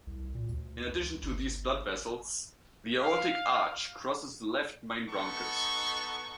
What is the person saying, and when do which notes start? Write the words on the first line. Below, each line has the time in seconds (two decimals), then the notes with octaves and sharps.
In addition to these blood vessels, the aortic arch crosses the left main bronchus.
0.07 C2
0.34 A#2
0.48 D2
0.89 C#2
1.23 G1
3.01 F5
5.09 B3 D#4 A4 C#6